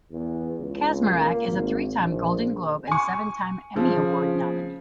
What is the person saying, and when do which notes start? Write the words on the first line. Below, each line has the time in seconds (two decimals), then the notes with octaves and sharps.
Kaczmarek is a three-time Golden Globe and seven-time Emmy Award nominee.
0.11 E2
0.60 C#2
1.15 A#3
1.48 G#1
2.00 A#1
2.87 G#5 C#6
3.75 C#3 F3